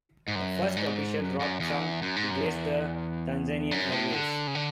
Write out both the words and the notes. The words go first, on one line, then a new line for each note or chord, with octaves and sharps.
The first official rap song to grace the Tanzanian airwaves.
G#2
F#2
G#2
F#2
F#2
E2
F#2
G#2
F#2
E2
F#2
A2
D3
C#3
D3